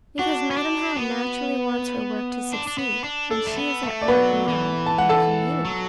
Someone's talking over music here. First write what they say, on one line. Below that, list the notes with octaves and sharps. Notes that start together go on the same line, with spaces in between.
Because Madam How naturally wants her work to succeed, and she is at work now making you.
D4 F#4
B3
D4
B3
D4
D4
B3
D4
D4 A4
A3
B3
A3
D5
F#3 B3 B4
E3
A5
F#5
A4 A5
F#3